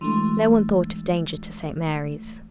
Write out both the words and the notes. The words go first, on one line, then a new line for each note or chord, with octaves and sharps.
No one thought of danger to St. Mary's.
E3 F#3 G#3 A3 D4 C6